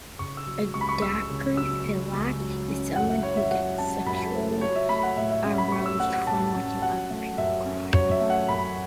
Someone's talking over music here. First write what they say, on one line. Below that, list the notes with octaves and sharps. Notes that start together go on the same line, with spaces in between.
A dacryphiliac is someone who gets sexually aroused from watching other people cry.
C#3 C#6
E6
F#3
C#2 C#6
B5
C#6
C#2 E6
C#3
F#3 E6
C#2
C#2
F#3
C#4
F#2 F#5
E5
E4 C#5
E5
F#3 F#5
C#4 A5
F#2 B5
E4
F#3 C#5
E5
A3 B5
F#5
A2 E5
E5
C#4 E5
B5
F#3 C#6
E6
A3 F#5
F#5
A2 A5
C#4
F#3 F#5
A3
F#2 E5
C#4
F#3 C#5
E5
A3
F#5
F#2 B5